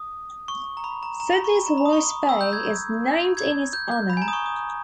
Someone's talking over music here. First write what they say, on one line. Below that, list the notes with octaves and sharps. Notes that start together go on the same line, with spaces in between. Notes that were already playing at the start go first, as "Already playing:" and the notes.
Sydney's White Bay is named in his honour.
Already playing: D#6
C#6
A#5
B5
A#5
A#5
B5
C#6
B5
A#5
B5
D#6
C#6
D#6
E6
G6
G#6
G#6
G6
G6
B5
G#5
A#5
D#6
C#6
D#6